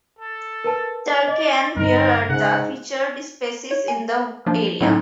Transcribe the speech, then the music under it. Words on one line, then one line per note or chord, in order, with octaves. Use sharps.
Turkey and bear are the featured species in the area.
A4
A#4 B4 A5
D5 D#5
G2 D3 D#4 A#4
G#2 C#3 F#5
C#5
G#5
F3 A#3 D4
A2 D3 F#3 C4 C#4 D#4